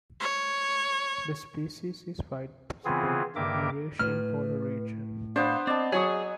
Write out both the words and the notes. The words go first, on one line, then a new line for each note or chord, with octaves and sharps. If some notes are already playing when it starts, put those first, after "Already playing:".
The species is widespread in the Eurasian polar region.
C#5
C#3 E3 B3 C4 F4 G#4
G2 D#3 A#3 A#4 E5 D6
A2 B4 F6
B3 D4 C5 F5
C4 D5 D#5 A5
F#3 G#4 G#5 C#6 D#6